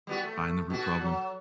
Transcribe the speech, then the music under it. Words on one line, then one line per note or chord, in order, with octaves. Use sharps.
find the root problem?
G3 B3 F#4
A3
B2 F#4
F#3